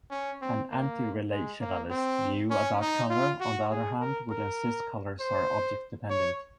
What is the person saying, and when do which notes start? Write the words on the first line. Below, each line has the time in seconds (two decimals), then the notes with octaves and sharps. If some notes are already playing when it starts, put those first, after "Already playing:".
An anti-relationalist view about colour, on the other hand, would insist colours are object-dependent.
0.11 C#4
0.41 C4
0.71 A#3
1.31 G#3
1.61 A#3
1.90 C4
2.51 C#4
2.81 D#4
3.10 F4
3.40 F#4
3.70 G#4
4.00 A#4
4.30 A#4
5.20 C5
6.10 C#5